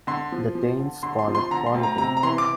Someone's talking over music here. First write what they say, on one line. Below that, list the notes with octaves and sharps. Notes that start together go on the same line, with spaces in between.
"The Danes call it quality".
D3 C6
F3
F3
D3
D3 C6
C6
F3
C6
D3 A#5
C6
D2
A#5
C3 A#5
A#5
E3 C6
D6